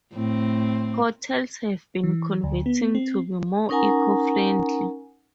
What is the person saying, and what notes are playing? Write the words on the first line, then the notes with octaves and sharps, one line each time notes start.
Hotels have been converting to be more eco-friendly.
A2 C4
E3
D2
B3
C4
C#4 D#4 A#4 F#5 G#5 A#5